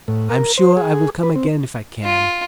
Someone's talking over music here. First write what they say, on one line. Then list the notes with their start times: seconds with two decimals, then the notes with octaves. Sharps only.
"I'm sure I will come again if I can."
0.08 A2
0.30 A#4
0.58 C5
0.77 G#4
1.23 B4
1.36 C4
2.04 F4